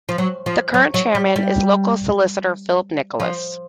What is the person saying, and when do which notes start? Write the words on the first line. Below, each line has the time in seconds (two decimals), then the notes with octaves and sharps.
The current Chairman is local solicitor Philip Nicholas.
0.09 F3
0.18 F#3
0.46 F3
0.74 F#3
0.94 F#3
1.15 G3
1.36 G3
3.20 F3